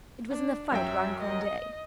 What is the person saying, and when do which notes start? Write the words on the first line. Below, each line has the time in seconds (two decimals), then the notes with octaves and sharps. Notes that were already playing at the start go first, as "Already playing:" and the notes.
It was in the fight round Conde.
0.30 D4
0.72 F#2 F#3 E5 G5
1.21 D#5